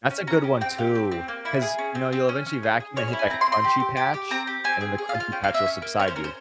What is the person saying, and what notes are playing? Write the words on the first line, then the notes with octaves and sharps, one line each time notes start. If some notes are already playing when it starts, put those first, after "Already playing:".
That's a good one too, 'cause, you know, you'll eventually vacuum and hit that crunchy patch, and then the crunchy patch will subside you.
C#4
C#4 A#5
G4
C4 G5
G4 F5
C4
C4
A#3
E4
G#4
C#4
C4
C4
C#4
C#4
G#4
G#4
C#4 C#5
C#5
E4
G#5
C4 A#5
C6
C4
C6
G4
G4
G4
G4
C4 A#5
G4
C4 G#5
G#4
G#4
F5
F4
F5
C#4 G5
F5
A#3
E5
C#4
A#3
C#4 C#5
C5
C#4 A#4
C5